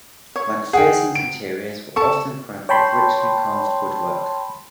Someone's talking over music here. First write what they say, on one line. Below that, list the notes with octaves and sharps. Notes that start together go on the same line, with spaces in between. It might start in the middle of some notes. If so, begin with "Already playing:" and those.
MacPherson's interiors were often crammed with richly carved woodwork.
C#5
G#4 F#5 G5
D7
A4 A5 C#6
C#5 G5 A5 B5 C6